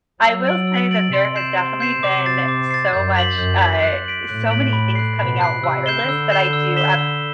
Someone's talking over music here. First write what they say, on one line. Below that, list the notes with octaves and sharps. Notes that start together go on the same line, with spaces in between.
I will say that there has definitely been so much, uh so many things coming out wireless that I do
F#3 E6
A6 D7 F#7
E6
A6 D7 F#7
C3 C6
G6 C7 E7
C6
G6 C7 E7
C3 D6
A6 C7
D6
A6 C7
F#2 G6
B6 F#7
F#2 G6
B6 F#7
F#6
B6 D7 F#7
A2 F#6
B6 D7 F#7
B5
F#6 C7
B2 B5
F#6 C7
C3 E6
G6 C7 E7 G7
D3 E6
G6 C7 E7 G7
E6
B6 E7 G7
E6